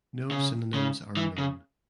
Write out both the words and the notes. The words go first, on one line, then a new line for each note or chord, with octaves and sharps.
No synonyms are known.
C#3
C#3
E3
C#3